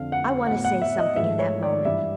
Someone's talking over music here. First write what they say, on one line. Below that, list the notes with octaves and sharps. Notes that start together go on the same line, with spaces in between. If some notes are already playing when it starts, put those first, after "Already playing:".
I want to say something in that moment.
Already playing: F2 D3 F3 F5
F#5
A2 F#3 B3 F#5
F#5
E5
D#5
G#2 F3 A3 E5
C#5
D5
G2 E3 G3 E5